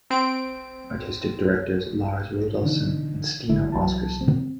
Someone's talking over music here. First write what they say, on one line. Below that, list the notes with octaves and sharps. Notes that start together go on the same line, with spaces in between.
Artistic Directors - Lars Rudolfsson and Stina Oscarson.
C4 D7
B2 D3 E3 D4 D#4
G#1 D3 E4 E5
C2 E3 F#3 A5
C4